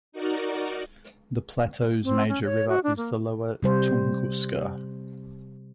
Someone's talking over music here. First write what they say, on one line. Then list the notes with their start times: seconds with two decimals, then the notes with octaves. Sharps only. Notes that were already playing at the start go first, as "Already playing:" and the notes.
The plateau's major river is the Lower Tunguska.
0.12 D#4 F#4 A#4 D5
2.04 C4
2.29 C#4
2.44 C#5
2.69 F#4
2.84 D4
2.97 A#3
3.63 C3 G3 C5